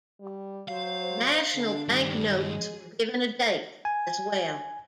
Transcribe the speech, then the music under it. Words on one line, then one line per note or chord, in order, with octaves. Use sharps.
National Bank Notes were given a date as well.
G3
F#3 C5 F5
D3 D4
G2 D#3 G3
G#3 G#4
G#5